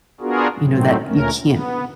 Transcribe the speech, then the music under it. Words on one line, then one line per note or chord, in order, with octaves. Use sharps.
you know, that you can't
B3 D4 F4 F#4 G#4 A#4
A2 D#3 F#3 A3 C4
D2 A#2 A3 C#4 A#4
B3